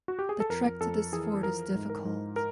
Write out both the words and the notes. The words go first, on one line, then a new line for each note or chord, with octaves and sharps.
The trek to this fort is difficult.
F#4
G4
G#4
A4
F2 A#4
F2 A4
E3 G#4
F3 A#4
G#2
A#4
G#2
A#4